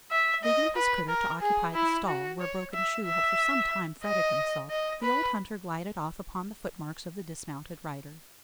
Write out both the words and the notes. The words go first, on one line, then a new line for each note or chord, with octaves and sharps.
Leaving his critter to occupy the "stall" where broken-shoe had for some time fretted himself, the old hunter glided off upon the footmarks of the dismounted rider.
E5
D#5
B4
A#4
G#4
E4
F#4
C#5
E5
E5
D#5
D#5
B4